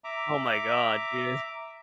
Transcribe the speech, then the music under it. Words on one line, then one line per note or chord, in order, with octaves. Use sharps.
Oh my god, dude.
E5 A#5 D6